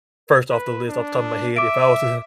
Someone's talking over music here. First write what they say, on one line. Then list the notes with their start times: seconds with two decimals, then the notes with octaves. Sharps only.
first off the list, off the top of my head, if I was to ha
0.50 B4
0.89 D4
1.56 E5 D6 D7